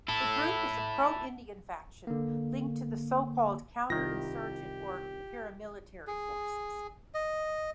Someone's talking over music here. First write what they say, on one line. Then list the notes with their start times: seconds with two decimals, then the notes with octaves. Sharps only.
The group is a pro-Indian faction, linked to the so-called counter-insurgent or paramilitary forces.
0.08 E4 A4
2.07 D3 A#3
3.90 C2 D#3 E4 F4 G4 A#6
6.07 G#4
7.14 D#5